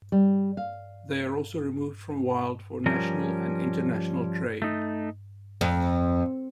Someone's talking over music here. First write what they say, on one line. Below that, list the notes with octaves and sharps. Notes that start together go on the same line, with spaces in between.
They are also removed from wild for national and international trade.
G3
F5
F3 G3 C#4 A#4
A3 D#4
F2